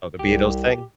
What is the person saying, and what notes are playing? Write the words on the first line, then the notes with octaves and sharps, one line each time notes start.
Oh, the Beatles thing?
C2 G4